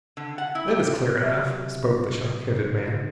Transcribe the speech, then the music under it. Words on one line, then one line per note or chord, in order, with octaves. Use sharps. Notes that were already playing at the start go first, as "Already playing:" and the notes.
"That is clear enough," spoke the shock-headed man.
D3
F#5
E4
G4
C3 F#3 D5 E5